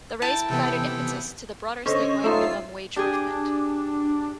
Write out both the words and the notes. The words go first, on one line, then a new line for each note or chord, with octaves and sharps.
The raise provided impetus to the broader statewide minimum wage movement.
E4 A#4 G5 A5
C3 E3 B3 A4 G5
D3 C#4 C5 C#5 D#5
A3 D#4 F4 E5 C6
D4 G4 G#4